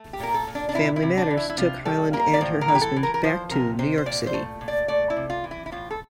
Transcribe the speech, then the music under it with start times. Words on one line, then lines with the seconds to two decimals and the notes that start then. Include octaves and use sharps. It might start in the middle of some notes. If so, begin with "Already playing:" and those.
Family matters took Hyland and her husband back to New York City.
Already playing: A3
0.13 G4
0.20 A#2 A#4
0.34 A4
0.47 A#2
0.55 D4
0.69 D4
0.75 C3 E4
0.96 E4
1.03 C3
1.17 D4
1.30 E3
1.37 E4
1.50 E4
1.58 C3 F4
1.85 G3 A4
2.13 A#3 A#4
2.34 D5
2.41 A2 C5
2.61 A#4
2.68 E3
2.75 G4
2.82 A4
2.96 E3
3.03 A#4
3.14 A#4
3.24 F3 C5
3.51 C3 A#4
3.79 C3 C5
3.98 C5
4.06 A#2 D5
4.27 C5
4.34 A3
4.61 A#2
4.68 D5
4.88 A3 D5
5.10 E4
5.17 C3
5.30 F4
5.44 E3
5.51 E4
5.66 E4
5.72 A2 F4
5.90 A4